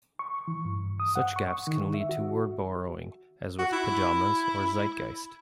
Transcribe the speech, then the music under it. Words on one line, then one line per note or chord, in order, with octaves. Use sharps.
Such gaps can lead to word borrowing, as with pajamas or Zeitgeist.
C#6
E3
G2
D#6
F#5
C#6
D#3
E5
F#4
F#4
E4